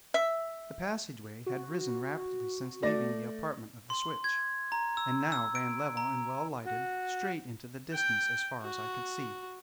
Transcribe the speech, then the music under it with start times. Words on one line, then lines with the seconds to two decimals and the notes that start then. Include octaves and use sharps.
The passageway had risen rapidly since leaving the apartment of the switch, and now ran level and well lighted straight into the distance as far as I could see.
0.14 E5
1.46 F#4
2.82 A3 D5 A#6
3.90 C6
4.24 G#6
4.72 A#5
4.97 E6
5.32 E6
5.55 D7
5.97 A#5
6.66 F#4
7.93 G5
8.62 F#4